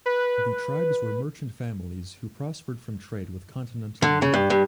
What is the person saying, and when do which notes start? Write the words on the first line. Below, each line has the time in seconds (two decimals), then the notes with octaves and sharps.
The Tribes were merchant families who prospered from trade with continental Europe.
0.06 B4
4.02 D3
4.22 C#3
4.34 G2
4.50 G2